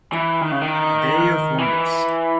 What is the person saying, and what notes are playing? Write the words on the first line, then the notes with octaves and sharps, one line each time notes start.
Day of wonders!
E3
D#3
C#3
D#3
E3